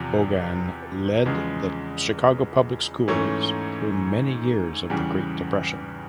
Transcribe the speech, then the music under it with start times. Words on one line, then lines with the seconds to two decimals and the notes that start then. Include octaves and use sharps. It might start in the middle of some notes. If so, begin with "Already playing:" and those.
Bogan lead the Chicago Public Schools through many years of the Great Depression.
Already playing: E2 C3 F3
1.26 E2 C#3 F3 G#3
3.08 G#2 E3 A3 C#4
4.90 E2 C#3 E3 G3